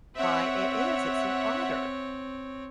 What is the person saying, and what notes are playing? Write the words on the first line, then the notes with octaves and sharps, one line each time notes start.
why it is, it's an otter."
C4 C#5 E5 F#5